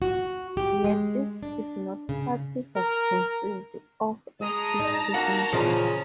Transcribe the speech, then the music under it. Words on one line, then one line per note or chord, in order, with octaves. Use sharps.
Yet this is not what he has conceived of as his chief mission.
F#4
G4
G#3
D4
C#3
A#4
G#3 A5 A#5 D#6
D#4
A#3 F#4 F#5
A#2 C#3 E3 F3 C#4